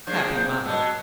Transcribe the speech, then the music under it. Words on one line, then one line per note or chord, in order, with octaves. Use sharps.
Happy mother!
F3 A#3 D4 G#4 G6
F#3 B3 D#5 A5 E6